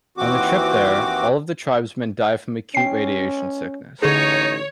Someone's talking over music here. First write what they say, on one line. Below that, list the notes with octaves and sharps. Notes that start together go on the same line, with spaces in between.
On the trip there, all of the tribesmen die from acute radiation sickness.
D#2 E3 C4 F#4 D6
C#4 G5 C7
A1 D3 D#4 G#4 C#5